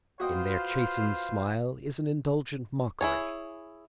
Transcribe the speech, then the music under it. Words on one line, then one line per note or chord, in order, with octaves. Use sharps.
In their chastened smile is an indulgent mockery.
F4 F#4 B4 C5 D#5 F5 G5
E4 G#4 C#5